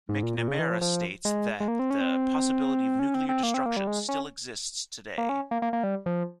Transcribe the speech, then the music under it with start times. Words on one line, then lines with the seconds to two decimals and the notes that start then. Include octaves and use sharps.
McNamara states that the possibility of nuclear destruction still exists today.
0.09 G#2
0.23 A#2
0.38 A#2
0.48 C#3
0.59 E3
0.70 F3
0.81 F3
1.25 G#3
1.60 G#3
1.68 A#3
1.79 C4
1.90 C#4
2.01 C4
2.99 C#4
3.15 C4
3.29 C4
3.43 A#3
3.54 C4
3.66 A#3
3.77 G3
3.87 G#3
4.09 C#4
5.18 A#3
5.29 C#4
5.51 A#3
5.62 A#3
5.73 A#3
5.83 G3
6.06 F3